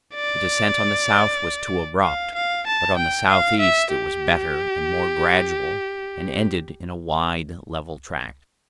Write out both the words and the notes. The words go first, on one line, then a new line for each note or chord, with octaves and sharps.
The descent on the south was too abrupt, but on the south-east it was better and more gradual, and ended in a wide, level tract.
D5
F5
F5
A5
G5
F5
E5
G4